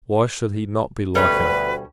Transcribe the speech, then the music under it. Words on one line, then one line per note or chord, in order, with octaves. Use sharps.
Why should he not be like him?
D2 B2 G3 C#4 B4